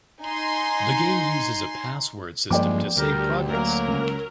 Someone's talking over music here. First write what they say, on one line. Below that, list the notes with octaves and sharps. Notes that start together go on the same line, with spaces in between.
The game uses a password system to save progress.
D#4 G#5 C6
G2 F3 G#3 A#3 D5 G5 D6
D2 G3 A#4
F#3 A#3 A#4
C#2